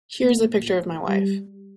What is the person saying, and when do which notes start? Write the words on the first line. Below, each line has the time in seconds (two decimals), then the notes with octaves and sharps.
Here's the picture of my wife.
0.20 A#3
1.08 G3